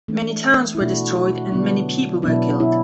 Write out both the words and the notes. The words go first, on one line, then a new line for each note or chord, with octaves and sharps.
Many towns were destroyed and many people were killed.
E3 A3 D4
E4
B2 A3 D4 F#4
F#4
F#4
F#4
D3 F#3 B3 D4
B2 F#3 B3 D4 E4
E4